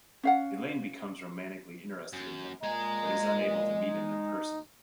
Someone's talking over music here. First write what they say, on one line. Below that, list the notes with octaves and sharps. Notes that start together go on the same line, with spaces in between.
Elaine becomes romantically interested in him, but is unable to meet him in person.
C#4 F5 F#5
F#2
A#2 G#3 D#5 G#5 A#5
D#4